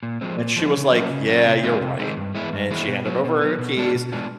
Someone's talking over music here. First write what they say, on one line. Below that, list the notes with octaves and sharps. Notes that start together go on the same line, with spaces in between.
and she was like, "Yeah, you're right," and she handed over her keys,
A#2
F3 G#3 C4
A#2
F3 G#3 C4
C#3
F#3 A#3 C#4 F#4
C#3
F#3 A#3 C#4 F#4
C3
D#3 G#3 C4 D#4
C3
D#3 G#3 C4 D#4
G2
E3 G#3 B3 E4
G2
E3 G#3 B3 E4
B2
F#3 B3
B2
F#3 B3
B2
G#3 B3 D4 F4
B2
G#3 B3 D4 F4